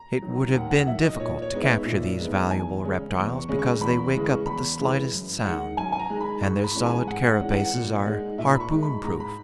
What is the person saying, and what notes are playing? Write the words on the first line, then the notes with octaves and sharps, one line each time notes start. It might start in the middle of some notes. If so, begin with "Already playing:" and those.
It would have been difficult to capture these valuable reptiles, because they wake up at the slightest sound, and their solid carapaces are harpoon-proof.
Already playing: A#5
D#3 F#3
D#2 F#5
F#5
D#3 F#3 E5
D#5
A#2 C#5
C#5
G#3 B3 D#4
E5
A#2
G#3 B3 D#4
E2 G#5
C#3 G#3 C#4
E2 C#6
C#6
C#3 G#3 C#4
C#6
E2 B5
C#3 E3 G#3
C#6
E2 B5
C#3 E3 G#3
F#2
D#3 G#3 F#5
F#2 G#5
G#5
A#5
D#3 G#3
B5
G#2 C#6
B5
E3 G#3 C#4
G#5
G#2 F#5
F#5
E3 G#3 C#4
F#5
A#2
G#3 D#4
A#2 E5
B5
C#6
G#3 D#4
B5
G#2 A#5
B5